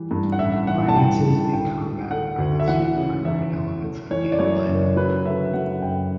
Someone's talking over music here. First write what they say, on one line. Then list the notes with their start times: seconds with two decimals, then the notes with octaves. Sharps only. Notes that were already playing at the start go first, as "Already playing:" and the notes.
Finances and combat are the two primary elements of gameplay.
Already playing: E3 G3
0.11 G2
0.32 F#5
0.39 A1 E5
0.67 E3 F#5
0.88 A5
0.96 G2 G5
1.25 A1
1.44 A5
1.53 D2 G5
1.82 A3
2.11 D3 F#5
2.39 D2
2.59 E5
2.68 E3 F#5
2.96 C#3
3.25 E2 E5
3.53 E1
3.82 A3
4.10 E3 C#5
4.32 D5
4.39 F#2 C#5
4.68 F#1
4.96 F#3 B4
5.25 D3 E5
5.46 E5
5.53 F#2 F#5
5.82 F#1 G5